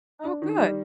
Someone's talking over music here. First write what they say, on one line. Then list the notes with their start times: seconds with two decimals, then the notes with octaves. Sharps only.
Oh, good.
0.24 D4
0.42 D#3
0.58 G3